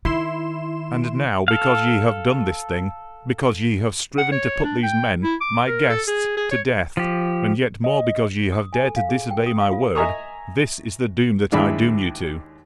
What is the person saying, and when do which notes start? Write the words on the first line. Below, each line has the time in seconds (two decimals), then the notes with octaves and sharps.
And now, because ye have done this thing, because ye have striven to put these men, my guests, to death, and yet more because ye have dared to disobey my word, this is the doom that I doom you to.
0.05 D#3 E4 C6 E7
1.48 A4 F5
4.18 F#5
4.32 C#5
4.64 D4
4.83 G5
5.23 E4
5.41 D6
5.67 A#4
5.89 A4
6.07 G#4
6.37 G#4
6.51 C#5
6.97 F3 G4
7.84 D#5
8.52 D#6
8.73 G#5
8.85 A4
8.96 F5
9.09 G#4
9.31 G5
9.46 D#6
9.60 F5
9.73 F4
9.95 D#5 E5 G#5 A#5 C#6 D#6
11.52 D#2 G#3 D4 E4 B5